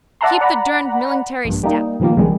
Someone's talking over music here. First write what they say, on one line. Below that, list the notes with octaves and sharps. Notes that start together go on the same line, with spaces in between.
Keep the durned millingtary step.
D5 E5 F#5 A5 A#5 C6
D5 F#5 A#5 B5
A#1 G2
G3 A#3 D#4
A#2 D#3 F3 G3 A#3
B1 C3 D#3 E3 G3 G#3